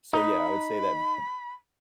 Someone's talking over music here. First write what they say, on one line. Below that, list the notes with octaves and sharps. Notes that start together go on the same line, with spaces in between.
so, yeah, I would say that, eh,
D#4 B5